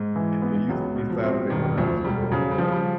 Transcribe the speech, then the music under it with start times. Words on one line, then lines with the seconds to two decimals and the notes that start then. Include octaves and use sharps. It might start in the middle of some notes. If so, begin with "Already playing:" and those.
It used to be Saturday when I was growing up.
Already playing: G#2
0.16 E3
0.42 B3
0.69 C#2 F#3
0.96 B2
1.10 F3
1.23 C4
1.50 E1 D#3
1.77 D2 F3
2.04 E1 G3
2.31 C#3 F#3
2.51 G3
2.58 F3
2.72 G3